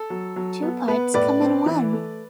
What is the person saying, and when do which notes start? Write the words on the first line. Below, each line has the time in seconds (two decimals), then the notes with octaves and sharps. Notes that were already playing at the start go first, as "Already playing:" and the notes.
Two parts come in one.
Already playing: A4
0.10 F#3
0.36 F#3
0.62 B3
0.88 B3 B4
1.14 A2 B4 D5
1.41 C4
1.66 E3
1.92 A3